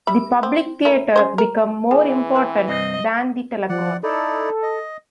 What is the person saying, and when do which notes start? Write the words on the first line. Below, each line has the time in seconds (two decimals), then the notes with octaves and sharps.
The Public Theater became more important than the Delacorte.
0.07 G3 E5 B5
0.43 C4
0.85 A3 E4 A#4
1.16 C#4 G#4 C5
1.38 A#4
1.91 E3 G#4 G#5
2.35 B4 A5
2.69 C2 G2 C4 D#5
3.69 F3 D5 F#5
4.03 D#4 E4 A4 D5
4.62 D#5